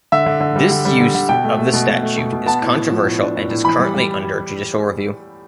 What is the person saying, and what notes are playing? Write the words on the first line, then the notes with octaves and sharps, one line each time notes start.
This use of the statute is controversial and is currently under judicial review.
D3 E5
D3
D3
G3
D3
G3
D3
D3
B2 G5
A3
A3
B2
B2
A3
B2
B2
B3 A5
A2
A2
F3
A2
D4
A2
A2
E3 B5
G3
G3